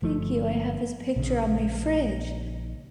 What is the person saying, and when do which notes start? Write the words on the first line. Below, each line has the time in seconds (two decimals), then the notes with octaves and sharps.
Thank you. I have his picture on my fridge,
0.02 G1 F3 A3
1.16 A#1 C#3